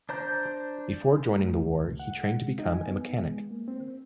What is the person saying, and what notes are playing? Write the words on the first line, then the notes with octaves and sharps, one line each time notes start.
Before joining the war, he trained to become a mechanic.
D4 C5 A#5 G6
A3
C#2
F#5
G#3
D#4
G#5
B3
G#3
A#3
C4